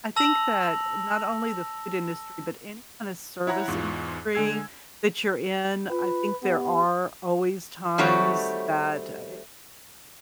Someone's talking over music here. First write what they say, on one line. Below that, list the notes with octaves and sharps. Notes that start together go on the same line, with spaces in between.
I think that not only the food industry, but any kind of service industry that you're in, I think there are always times that, I
A5 E6 A#6 F7 F#7
E4 C#5 F#5 A#5 F#6
E2 G#2 F4 C#6
D3 G#3 G#5 E6 G#6
F4 B4
B3 G4
D#3 G3 A3 C4 F#4 C#5